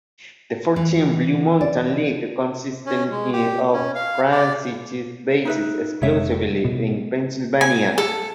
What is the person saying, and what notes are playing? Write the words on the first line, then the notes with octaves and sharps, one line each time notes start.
The four–team Blue Mountain League consisted of franchises based exclusively in Pennsylvania.
E3
D5
C#4
G#3
G4
C#4
F5
D5
D#4 B4 E5
F1 C3 G#3 C#5 E5
B2 B3
G#5
A4